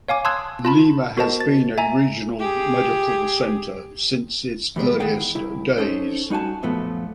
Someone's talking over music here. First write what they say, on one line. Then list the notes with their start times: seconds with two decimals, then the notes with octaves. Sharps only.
Lima has been a regional medical center since its earliest days.
0.08 C#5 F5 G#5 D6
0.25 A5 C6 D#6 E6 F#6 G#6
0.65 F4 A5 B5
1.17 B3 F#4 A#4 C5 D#5 A5
1.40 A6
1.78 E5 G#5 A#5
2.40 G4 G#4
4.76 E2 G3 G#3 B3
5.00 D#3 E4 G#4 F#5 G5
5.35 C2 E4
5.77 C#4 D#4 A4 C5
6.30 G3 D#4 F#4 G#5 A5
6.63 F#2 A#2 F3 A3 B3